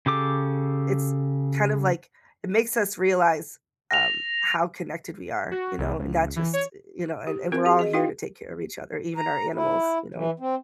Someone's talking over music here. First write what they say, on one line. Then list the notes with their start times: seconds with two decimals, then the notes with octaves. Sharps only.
it's kind of like, it makes us realize, um, how connected we are, you know, and that's just, you know and we're all here to take care of each other, even our animals, you know?
0.06 C#3 G4 A4 D6
3.91 A#6 F7
5.51 F#4
5.78 C2
5.99 C#2
6.36 E3
6.53 C#5
7.27 G4
7.52 C4 F4 A#4
7.65 F#4 G#4
7.79 G#4 D#5
7.93 D#4 E4 F#4 F5 G5
9.17 A#5
9.54 E4
10.15 E3
10.40 C4